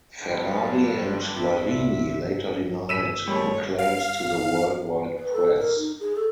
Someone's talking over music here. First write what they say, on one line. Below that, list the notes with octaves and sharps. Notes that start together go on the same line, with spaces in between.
Ferrari and Larini later denied the claims to the worldwide press.
G2 D3 F#3 G4
B3 D4 E4
C2 C3 E5
E6 B6 D#7 E7
G3 A3 C#5
F5
B4
A4
A#4
D#4
G#4
A4